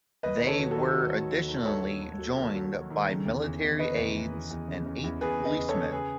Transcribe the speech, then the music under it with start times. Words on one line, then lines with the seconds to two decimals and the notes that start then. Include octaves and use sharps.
They were additionally joined by military aides and eight policemen.
0.23 D#2 B4 D#5
0.41 D#3
0.47 A4 C#5
0.59 F#3
0.71 F#4 A4
0.76 D#3
0.94 F#3
1.12 D#3
1.30 D#2
1.48 D#3
1.66 D#2 A4 C#5
1.84 D#2
2.01 D#2
2.19 F#3
2.37 D#2
2.55 F#3
2.73 F#3
2.90 D#3
3.08 C#3
3.25 E2
3.44 E2
3.61 E2
3.79 C#3 B4 D#5
3.97 E2
4.15 E3
4.33 E3
4.50 E2
4.68 C#3
4.86 C#3
5.04 E2
5.21 E2 G#4 B4
5.39 C#3
5.45 B4 D#5
5.57 E2
5.68 A4 C#5
5.75 C#3
5.92 C#3 G#4 B4